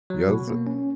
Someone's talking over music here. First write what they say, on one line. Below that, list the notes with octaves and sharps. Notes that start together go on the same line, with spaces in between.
Yeah, that was a
F#3
B2
A#3
C#4